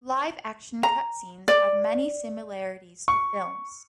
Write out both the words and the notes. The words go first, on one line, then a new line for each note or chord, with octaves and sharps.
Live-action cutscenes have many similarities to films.
A#5
D5
C#6